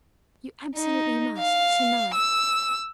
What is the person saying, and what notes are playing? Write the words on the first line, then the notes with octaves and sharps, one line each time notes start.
You absolutely must, tonight!
D#4
F5
E6